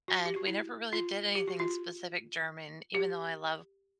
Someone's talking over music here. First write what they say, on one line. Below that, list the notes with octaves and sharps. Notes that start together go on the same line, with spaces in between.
and we never really did anything specific German even though I love,
F#4
G4
F#4
E4
F4
G4
F#4
F4
G4